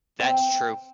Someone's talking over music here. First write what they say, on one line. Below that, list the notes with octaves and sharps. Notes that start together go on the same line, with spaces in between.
That's true.
C4